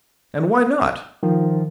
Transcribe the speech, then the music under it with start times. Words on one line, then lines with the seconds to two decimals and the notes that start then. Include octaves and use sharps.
"And why not?"
1.23 D#3 F3